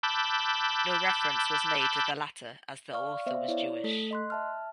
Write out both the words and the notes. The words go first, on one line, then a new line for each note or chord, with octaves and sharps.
No reference was made to the latter as the author was Jewish.
A5 B5 D6 E6 F#6 G6
D5 F5 C#6 F6
B3 C5 D5 E5 F5
E4 C#5 D5
A3 A4 B6
D#5 C6 F#6
E5 A5 F6